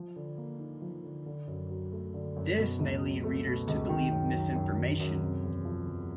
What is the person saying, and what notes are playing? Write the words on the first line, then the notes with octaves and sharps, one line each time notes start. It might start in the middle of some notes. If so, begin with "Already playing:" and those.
This may lead readers to believe misinformation.
Already playing: F3
D3
A#3
D#4
F3
D3
D3
F#2
F#3
A3
D3
F#2
B2
C#2
F#3
A3
B2
C#2
D#3
F#2
F#3
F#2
D#3
F#2
C3
E2
F3
E2